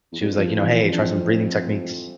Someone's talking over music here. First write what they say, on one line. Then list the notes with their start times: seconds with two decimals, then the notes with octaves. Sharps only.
she was, like, you know, "Hey, try some breathing techniques"
0.12 E2
0.20 F2 G3
0.38 F3
0.57 E3
0.74 C4
0.92 D4
1.02 C4
1.12 D4